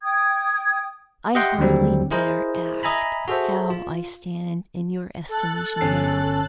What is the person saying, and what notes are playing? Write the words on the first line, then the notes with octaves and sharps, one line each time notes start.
I hardly dare ask how I stand in your estimation now.
G5 D#6 G#6
G4 D#5 E5 F#5 G5 C6
D#2 D3 F#3 G3 C4
E4 G#4 A#4 C5 D#5
D#5 E5 G#5 A#5 B5
F#4 G#4 A4 C5 E5
F4
A4 F#6 A6
G1 C#4 C7